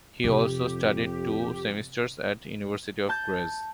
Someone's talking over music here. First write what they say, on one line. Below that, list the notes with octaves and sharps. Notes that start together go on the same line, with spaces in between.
He also studied two semesters at the University of Graz.
F2 C3 C4 G4
A5 G6